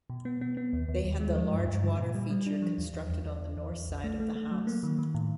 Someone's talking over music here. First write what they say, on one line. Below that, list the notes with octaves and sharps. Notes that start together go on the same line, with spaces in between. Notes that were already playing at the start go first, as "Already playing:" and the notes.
They had the large water feature constructed on the north side of the house.
B2
B3
B3
B3
D#2
D#2
D#2
G#3
F3
G2
G2
D3
A#2
G3
G3
D4
F3
E2
E2
E2
E2
E2
E2
E2
A#1
A3
A3
A3
F#3
A#3
D#3
D#3
A2